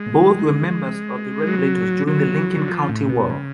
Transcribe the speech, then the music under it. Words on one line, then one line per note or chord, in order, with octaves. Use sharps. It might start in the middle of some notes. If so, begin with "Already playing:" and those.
Both were members of the Regulators during the Lincoln County War.
Already playing: G#3
F#3
F#3
D3
F3
A2
B2
C#3